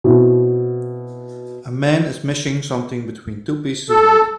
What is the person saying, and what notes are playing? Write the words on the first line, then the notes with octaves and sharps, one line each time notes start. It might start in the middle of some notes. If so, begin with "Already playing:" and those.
A man is mashing something between two pieces of wood.
B2 C4 E4
A4